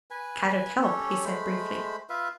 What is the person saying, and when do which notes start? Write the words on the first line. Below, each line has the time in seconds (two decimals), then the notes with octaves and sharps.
"Kadok help," he said briefly.
0.11 B4 G#5
0.82 C#4 G4 A4 C#5
1.25 G#3 A3 C5 B5
2.10 F4 B4 E5 F5